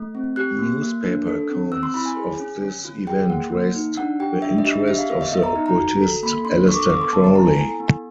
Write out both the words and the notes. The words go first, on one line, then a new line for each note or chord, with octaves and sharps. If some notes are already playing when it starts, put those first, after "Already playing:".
Newspaper accounts of this event raised the interest of the occultist Aleister Crowley.
Already playing: A3
C4
G4 F#6
A#3
A#3
D4
A4
C4
C4 E6
C6
E4 B5
G#5
G#4
C#4
C#4
F4
G#4 G5
A#3 F#5
A#3
D#4
D4 F#5
G4 G5
D4 E5
D#5
G4 E5
G4 E5
F5
B3 E5
D#5
B3 E5
A#5
D#4
A#5
F#4
A4
A#3 B5
D4 C6
A4 C#6
D6
D#6
B3 D6
C6
B3 A5
A5
E4 A#5
G#5
A4 G#5
B3